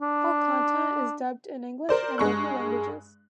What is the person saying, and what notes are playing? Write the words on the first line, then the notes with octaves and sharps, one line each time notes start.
All content is dubbed in English and local languages.
D4
A#4 C5 D5
G2 G#3 C#6 F#6